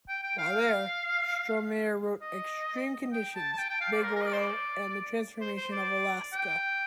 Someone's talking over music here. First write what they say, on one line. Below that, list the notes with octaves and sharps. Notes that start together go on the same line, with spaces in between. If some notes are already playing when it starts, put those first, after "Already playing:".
While there, Strohmeyer wrote "Extreme Conditions: Big Oil and the Transformation of Alaska".
G5
G5
F5
D#5
G5
A5
A5
G5
G5
F5
D5
A#4
A#4
D#5
D5
C5
D5
C5
C5
D5
G5